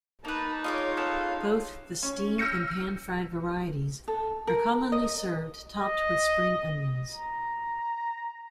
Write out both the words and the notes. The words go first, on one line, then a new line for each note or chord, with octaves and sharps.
Both the steamed and pan-fried varieties are commonly served topped with spring onions.
A#3 D#4 B4 A5
F4 G#4 C#5 D#5 F5 C#6 D6
B3 C#4 A4
C#4
E6 F6 G6 A#6 C#7 D#7
A4
A#4
D#5
D#5
A#5